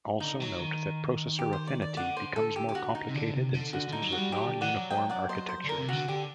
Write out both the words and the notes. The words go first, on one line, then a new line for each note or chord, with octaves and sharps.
Also note that processor affinity becomes more complicated in systems with non-uniform architectures.
D3 D#4
F#3
D#3
G4
C5
D5
D5
D3 D5 F#5
C5
A4
G4
G4
F#4
D#4
C3
D3
C3
D3
D3 F#4
D3 D#4
F#3
F#4
G3
F#3 G4
D3
D#3 D5 F#5
F#3
D#5 G5
D5 F#5
C5 D#5
C5
D3 A#4
C3
D3 F#4
D3 G4